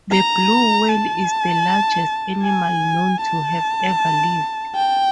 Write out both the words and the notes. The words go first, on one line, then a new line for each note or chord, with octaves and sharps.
The blue whale is the largest animal known to have ever lived.
A#5
A5
G#5
A5
G5